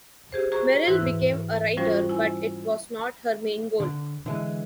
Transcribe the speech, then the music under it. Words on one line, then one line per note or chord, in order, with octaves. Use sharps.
Merrill became a writer, but it was not her main goal.
G4 G#4 C5
F#4 G#4 C5 A#5 C#6
G#2 E3 E4 B4 E6 F#6
F3 G3 C#4 F4 F#4 C5
E4 G#5
D3
D3 E3 G#3